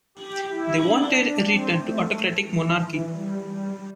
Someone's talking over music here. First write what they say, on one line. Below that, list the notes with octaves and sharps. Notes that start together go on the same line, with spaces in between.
They wanted a return to autocratic monarchy.
G4
E4
D4
D4
C4
A3
E3
E3
G3
G3